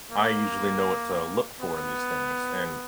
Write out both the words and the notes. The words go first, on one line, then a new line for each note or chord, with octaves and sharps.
I usually know what to look for in these things. And
A#3
B3